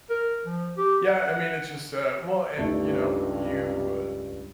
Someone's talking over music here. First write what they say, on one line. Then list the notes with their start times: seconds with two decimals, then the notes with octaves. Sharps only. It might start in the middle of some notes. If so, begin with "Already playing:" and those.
Yeah, I mean, it's just, uh well and, you know, you uh
0.10 A#4
0.46 F3
0.77 G4
1.07 F#5
2.58 C#2 G2 A3 D#4